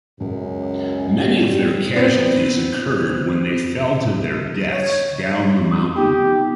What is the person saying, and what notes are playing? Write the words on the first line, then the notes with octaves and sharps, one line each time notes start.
Many of their casualties occurred when they fell to their deaths down the mountain.
C#2 F#2
G3
B3 C4
C#5
B3 D#4 G4